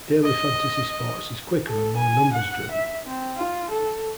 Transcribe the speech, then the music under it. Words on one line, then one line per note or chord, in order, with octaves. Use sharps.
Daily fantasy sports is quicker and more numbers-driven.
D#5
A4
G#5
F#5
E5
C4
F4
A4